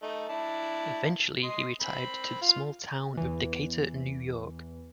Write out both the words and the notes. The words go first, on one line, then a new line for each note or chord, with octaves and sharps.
Eventually he retired to the small town of Decatur, New York.
A3 D#4
D4 E4 A5
D#5 C6
C4 B5
F4 F5
E2 E3